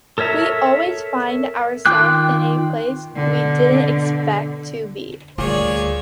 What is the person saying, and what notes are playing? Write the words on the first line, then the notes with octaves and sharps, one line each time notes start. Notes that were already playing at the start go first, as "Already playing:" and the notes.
We always find ourselves in a place we didn't expect to be.
A4 A#4 C#5 E5 A#5
D#3 F4 G5 D6 F#6
B2 D3
D2 A#2 G3 G#4 C#5 D5